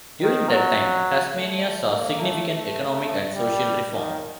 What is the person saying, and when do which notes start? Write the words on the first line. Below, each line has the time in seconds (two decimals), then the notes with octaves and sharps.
During that time, Tasmania saw significant economic and social reform.
0.21 D#3
0.49 F#3
1.35 A3
1.92 A#3
2.20 A3
2.49 A3
3.34 G3
3.91 D#3